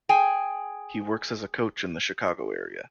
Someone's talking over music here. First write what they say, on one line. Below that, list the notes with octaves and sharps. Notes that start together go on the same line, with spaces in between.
He works as a coach in the Chicago area.
G#4 G5 G#5